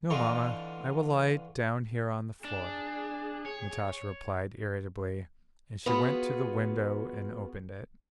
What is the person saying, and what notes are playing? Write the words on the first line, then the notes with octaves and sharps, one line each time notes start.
"No, Mamma, I will lie down here on the floor," Natasha replied irritably and she went to the window and opened it.
D3 E3 F4 D5 D#5 C#6
D4 G#4
C#5
B3 F4 F#4 G#4